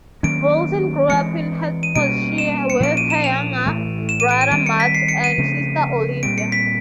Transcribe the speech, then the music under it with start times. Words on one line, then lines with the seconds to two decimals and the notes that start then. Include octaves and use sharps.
Wilson grew up in Hertfordshire with her younger brother Matt, and sister, Olivia.
0.23 D#3 F#3 A#3 C#4 D7
1.09 E3 G#3 C4 C#7
1.83 D#7
1.95 B2 G3 A#3 C#4 D7
2.38 E7
2.70 C#7
2.80 A#2 F3 A#3 C#4 D7
2.97 D#7
3.10 E7
3.24 F7
3.66 A2 E3 A3
4.09 E7
4.20 D#7
4.31 D7
4.41 D#7
4.52 D#3 G3 C4 D7
4.66 C#7
4.80 B6
4.94 C7
5.09 C#7
5.24 D#7
5.38 C#3 F3 A3 C4
6.23 A#2 G3 C4 D7
6.38 C#7
6.52 B6